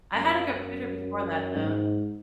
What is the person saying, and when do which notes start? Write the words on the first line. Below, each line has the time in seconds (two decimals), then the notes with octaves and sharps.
I had a computer before that, though.
0.15 F#2
1.56 G#2